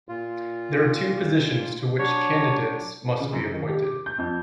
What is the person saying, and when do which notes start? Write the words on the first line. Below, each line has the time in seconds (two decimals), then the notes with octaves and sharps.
There are two positions to which candidates must be appointed.
0.09 A#2 F4
1.99 F#3 D4 C#5
3.20 C#3
3.33 F#2
3.53 D#3
3.68 G4
3.84 D6
4.06 G6
4.18 F2